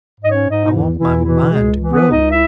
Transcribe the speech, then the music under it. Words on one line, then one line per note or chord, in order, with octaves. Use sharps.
I want my mind to grow.
G#2
D#5
C#4 C#5
G#2
D#4 D#5
D#4
E2 E3 E4
E2 E3 E4
B2 E3 E4
C#2 G#3 G#4
E3
B3 B4
C#2
D#4 D#5
E4 E5